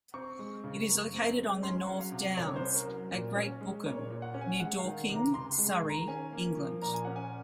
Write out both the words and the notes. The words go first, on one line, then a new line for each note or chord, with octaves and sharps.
It is located on the North Downs at Great Bookham, near Dorking, Surrey, England.
C4 C#6
G#3
C#3
F#2
C4
G#3
C#4 C6
F#5
F#3
F5
C3
C2 C#5
C5
C#4
A#4
F#3
A#2
C#4
G#3
A#2 C#5
A#2
F#5
C#4
G#5
G#3 F#5
F5
D#3
C3
A#5
C#2 C6
C6
G#3
C6
D#3
A#5
C#4 G#5
A#3
F3
A#2 A#5
G#5
C#4 F#5
G#5